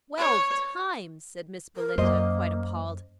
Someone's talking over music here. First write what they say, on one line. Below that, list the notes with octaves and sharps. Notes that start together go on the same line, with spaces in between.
"Twelve times!" said Miss Belinda, quite appalled.
C#5
A#4
F#2 A#3 C5 D#5